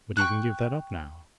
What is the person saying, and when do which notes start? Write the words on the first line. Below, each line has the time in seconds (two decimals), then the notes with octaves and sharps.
"But you can give that up now."
0.17 G5 A#5 C#6 F#6